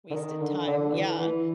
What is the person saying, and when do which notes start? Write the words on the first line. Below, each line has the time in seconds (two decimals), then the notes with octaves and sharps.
wasted time yeah
0.11 D3
0.14 D#3
0.41 D3
0.67 D3
0.93 E3
1.18 E3